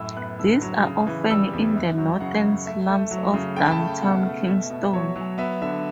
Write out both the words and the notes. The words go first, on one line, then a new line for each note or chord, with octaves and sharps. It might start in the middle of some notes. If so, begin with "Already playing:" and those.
These are often in the northern slums of downtown Kingston.
Already playing: F#2 A2 E6
B3 F#6
D3 E6
F#3
C#3
E3
G3 E6
E2
F#2
F#3
C#3 F#5
F#2
A3 E5
A3
F#3
C#3
A3 G5
B5
A5
A3
G5
B2 F#5
A3
B2 E5
B2
F#3 C#5
F#3
B3 E5
D3 E5